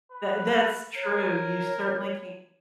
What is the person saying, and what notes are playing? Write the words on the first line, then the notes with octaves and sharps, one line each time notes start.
Tha that's true, you certainly ca
B4
A#4 C#5